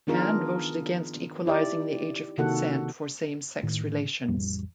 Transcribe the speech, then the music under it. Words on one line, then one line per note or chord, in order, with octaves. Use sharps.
Cann voted against equalising the age of consent for same-sex relations.
D#3 B3 D4 F4 G#4 A#4
D#4 E4 G4 D5
C3 D#3 A#3 F#4 A4 F#5
A2 D#3
A1 F2 G3